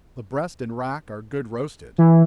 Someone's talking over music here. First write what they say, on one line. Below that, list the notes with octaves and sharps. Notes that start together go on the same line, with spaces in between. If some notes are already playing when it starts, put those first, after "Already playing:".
The breast and rack are good roasted.
E3